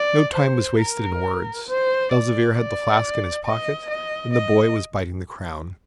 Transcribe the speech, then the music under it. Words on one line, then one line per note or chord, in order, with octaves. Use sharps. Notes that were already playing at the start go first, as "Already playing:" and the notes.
No time was wasted in words; Elzevir had the flask in his pocket, and the boy was biting the crown.
Already playing: D5
C5
A#4
C5
D5
D5
D#5
D#5
D#5